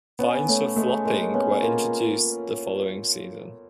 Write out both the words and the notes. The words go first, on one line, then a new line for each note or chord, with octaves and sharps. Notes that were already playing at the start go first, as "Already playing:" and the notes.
Fines for flopping were introduced the following season.
B3 C#4
A3 C#4
G#3 A3
G#3 A#3
B3 C#4
A#3 F4